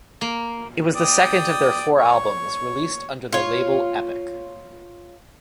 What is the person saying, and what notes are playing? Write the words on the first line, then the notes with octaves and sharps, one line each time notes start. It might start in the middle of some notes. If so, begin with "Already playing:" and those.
It was the second of their four albums released under the label Epic.
A#3
D5 G5 D#6
C#5
F4 C#5